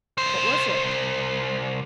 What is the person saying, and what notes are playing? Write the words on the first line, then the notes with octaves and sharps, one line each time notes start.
"What was it?"
C2 C5